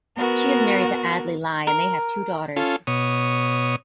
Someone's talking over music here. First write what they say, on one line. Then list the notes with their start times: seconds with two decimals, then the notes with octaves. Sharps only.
She is married to Adli Lai they have two daughters.
0.18 B3 F#4 A#4
1.67 A#4
2.56 C#4 F4 A4
2.87 B2 C#5 D#6